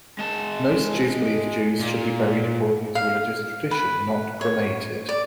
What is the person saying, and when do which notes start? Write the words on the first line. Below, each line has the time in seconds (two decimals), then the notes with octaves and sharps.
Most Jews believe Jews should be buried according to religious tradition, not cremated.
0.19 G#3 A5
1.80 A#2
2.95 F5
3.71 B4
4.41 C#5
5.09 D5